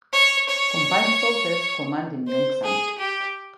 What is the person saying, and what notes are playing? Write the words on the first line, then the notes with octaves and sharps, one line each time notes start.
Combined Forces Command in Yongsan.
C#5
C#5
C5
G#4
G4